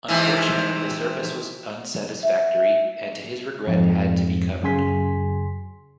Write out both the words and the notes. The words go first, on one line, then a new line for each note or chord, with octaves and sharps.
Unfortunately the surface was unsatisfactory and, to his regret, had to be covered.
G#2 C3 E3
E5
F2 G#2 F3
F#2 C#3 G#5 C6 B6